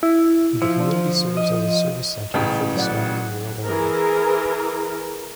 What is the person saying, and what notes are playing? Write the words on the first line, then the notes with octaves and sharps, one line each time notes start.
The community serves as a service centre for the surrounding rural area.
E4
F3 E4
D3
D#5
A1 A#2 C#3 G5
F#3 D5 F#5
E3 G#4 A#4